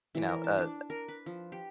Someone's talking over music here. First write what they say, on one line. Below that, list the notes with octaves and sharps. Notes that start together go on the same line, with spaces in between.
you know, a
E3
A#4
A5
D4
A#4
B4
F3
G4